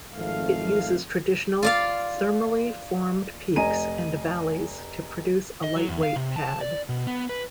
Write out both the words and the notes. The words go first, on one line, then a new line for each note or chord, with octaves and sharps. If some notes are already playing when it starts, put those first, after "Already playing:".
It uses traditional thermally-formed peaks and valleys to produce a lightweight pad.
G#1 F2 A3 F5
F4 D5 F5
F1 D#5 G#5 A#5 D#7
D#5
F#3
E2
F5
C3
A5
D5
B2
B3
B4